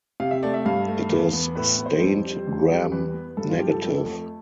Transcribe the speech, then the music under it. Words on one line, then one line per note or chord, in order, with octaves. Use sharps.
It is stained gram-negative.
C3 F5
E5
A3 D5
E5
G2 F5
A3
E2
B3
A2 B4
B3
C5
F2
G3
E2
G3
E2 B4
B3
G2 A4
F4
F3 G4
A4
F2 A4
A3